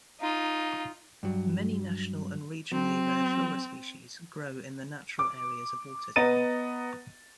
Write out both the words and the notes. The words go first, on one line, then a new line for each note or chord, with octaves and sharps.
Many national and regionally rare flora species grow in the natural areas of Waterdown.
D#4 F4
G2 F#3
F#3 C4
D6
B3 D#5 A#5 A6 D#7